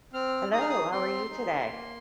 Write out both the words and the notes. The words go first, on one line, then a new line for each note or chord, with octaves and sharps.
Hello, how are you today?
C4 F6
D#4 G#4 D#6 F6
D#6
C4 C6
D#4 G#4
A#3